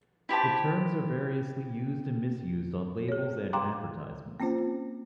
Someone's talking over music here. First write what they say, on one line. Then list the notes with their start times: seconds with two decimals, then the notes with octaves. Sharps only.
The terms are variously used and misused on labels and in advertisements.
0.29 E4 G4 C5 A5
3.08 G#4 C#5
3.53 F5 G5 A#5 C6 D6 F#6
4.40 A#3 C4 C#4 F4 C5